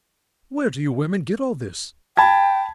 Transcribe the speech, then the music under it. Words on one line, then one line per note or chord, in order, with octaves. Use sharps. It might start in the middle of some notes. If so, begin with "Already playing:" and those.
Where do you women get all this?
G5 A5 B5 G#6